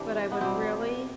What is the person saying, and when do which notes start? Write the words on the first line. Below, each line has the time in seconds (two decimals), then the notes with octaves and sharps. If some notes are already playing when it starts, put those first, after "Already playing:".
but I would really
Already playing: C3 E3 G3 A3 D4
0.32 B3
0.41 B2 G3 C4